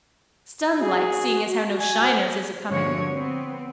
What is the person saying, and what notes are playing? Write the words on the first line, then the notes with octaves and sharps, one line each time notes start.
Stunned like, seeing as how no shiners is acoming.
F#4 G#4
G#5
C5
G2 A#2 D3 F3 F#4 C#5
B3 C4